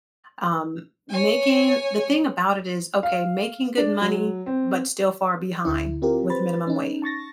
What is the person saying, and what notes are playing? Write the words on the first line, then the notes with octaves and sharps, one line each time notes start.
Um, making the thing about it is, okay, making good money, but still far behind with minimum wage.
C#5 G#5
F5
D4
F#3
C4
D2 D3 E4
C4 F4 G4 A#4
B4 C5 B5 A6
C#4 D#4
A5 C#6 A6 A#6